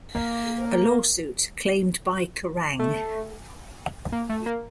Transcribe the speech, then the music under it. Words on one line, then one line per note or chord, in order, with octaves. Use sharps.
A lawsuit, claimed by Kerrang!
A#3
A3
A#3
A3
A#3